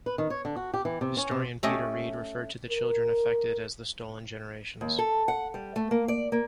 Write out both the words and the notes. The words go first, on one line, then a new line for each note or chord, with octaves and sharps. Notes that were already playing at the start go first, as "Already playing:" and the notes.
Historian Peter Read referred to the children affected as the "Stolen Generations".
B4
D#3
C#5
D3
F#4
G4
E3
C3
C#4
C3
A3 C#4 G4 A4 D#5
A#4
D#2
A4
F#5
G3
A3
A#3
D5
A#3